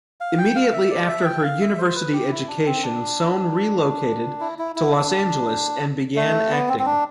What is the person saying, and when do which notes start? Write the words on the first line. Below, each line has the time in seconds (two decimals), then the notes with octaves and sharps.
Immediately after her university education Sohn relocated to Los Angeles and began acting.
0.21 F5
0.38 G5
0.55 F5
0.73 E5
0.90 D5
1.08 E5
1.25 G5
1.44 F5
1.61 E5
1.78 C5
1.95 B4
2.13 G4
2.30 E4
2.48 D4
2.66 C4
2.83 D4
4.40 E4
4.59 E4
4.76 E4
4.94 D4
6.16 A3
6.51 B3
6.69 C4
6.79 C4
6.86 D4